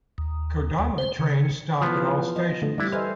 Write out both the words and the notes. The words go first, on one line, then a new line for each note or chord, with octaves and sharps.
"Kodama" trains stop at all stations.
D#2
D#2
C5
C#3
E3 F3 B3
F5
D#5
D3 A3
G3 D4 E4
A4 B4 C5 D#5 E5 G#5 F6